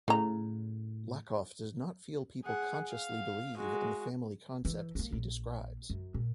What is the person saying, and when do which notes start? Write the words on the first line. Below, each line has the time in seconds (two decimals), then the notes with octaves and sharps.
Lakoff does not feel people consciously believe in the family concepts he describes.
0.08 A2 C#3 A#5
2.44 G#4 F#5
2.92 F5
3.56 G#3 F#4
4.65 E3
4.95 A#3 B3
5.12 A#1
5.90 F#2
6.14 A#2